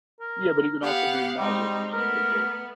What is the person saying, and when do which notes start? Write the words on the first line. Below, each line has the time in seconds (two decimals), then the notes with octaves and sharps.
Yeah, but he can also do magic, which is pretty cool.
0.20 A#4
0.82 B3 G4 F5 F#5
1.38 G3 G#3 C4 D#4
1.93 A3 B3 A#4